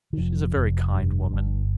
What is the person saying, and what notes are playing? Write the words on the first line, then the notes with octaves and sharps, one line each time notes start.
She is a very kind woman.
D#3
F1 F3
F1
G2
G1